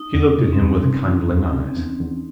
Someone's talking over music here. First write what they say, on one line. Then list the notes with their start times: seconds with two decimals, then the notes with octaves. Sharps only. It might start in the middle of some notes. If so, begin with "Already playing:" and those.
She looked at him with kindling eyes.
Already playing: D#4
0.14 E2
0.22 C#4
0.38 C3
0.53 C4
0.61 E2
0.84 C3
1.07 E3
1.30 E2
1.54 C3
1.77 E2
2.00 E2